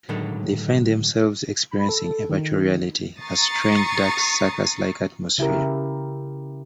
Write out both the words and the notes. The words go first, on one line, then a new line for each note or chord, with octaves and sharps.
They find themselves experiencing a virtual reality, a strange, dark circus-like atmosphere.
A2 D3 D#3 F#3 G#3 A4
B5
A4
D#3
A#5 C#6 D#6 A6 C7 C#7
C#3 E4 G4 A#4